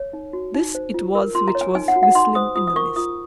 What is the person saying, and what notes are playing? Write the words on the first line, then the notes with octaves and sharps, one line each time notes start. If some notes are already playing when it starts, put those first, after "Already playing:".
This it was which was whistling in the mist.
Already playing: C#5
D#4
F#4
D#4
C5
F4
A#4
F4 C6
A#5
C#5
G#5
D#4 G#5
F#5
F#4
F#5
D#4 C6
C5 D#6
F4 D#6
D#6
A#4 C#6
F4 D#6